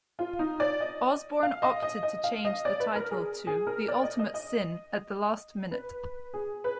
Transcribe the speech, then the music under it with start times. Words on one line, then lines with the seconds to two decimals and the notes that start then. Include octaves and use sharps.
Osbourne opted to change the title to "The Ultimate Sin" at the last minute.
0.19 F4
0.39 D#4
0.60 D5
0.80 D#5
1.43 F5
1.62 D#5
1.82 D#5
2.03 D#5
2.24 F5
2.45 D#5
2.65 D5
2.80 B4
2.95 A#4
3.11 G#4
3.47 G#4
3.67 A#4
3.88 D5
4.03 D#5
4.19 D#5
4.34 D#5
5.71 B4
6.34 G#4
6.64 B4